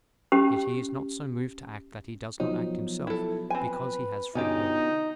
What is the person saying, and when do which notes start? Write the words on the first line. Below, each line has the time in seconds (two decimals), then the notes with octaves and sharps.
Yet he is not so moved to act that he does not act himself, because he has free-will.
0.32 C#4 G4
2.40 B2 F3 F#3 D#4
3.07 E4 A4
3.50 C4 B4 G#5
4.35 B2 D3 C#4 D#4 F4 G4